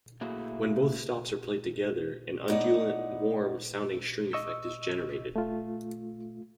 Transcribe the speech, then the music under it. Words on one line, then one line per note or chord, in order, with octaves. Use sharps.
When both stops are played together an undulant, warm sounding string effect is generated.
A3 A#3 E4 F#4 G#4
A2 B3 D#4 D5 F#5
D#5 C#6 E6
A3 F4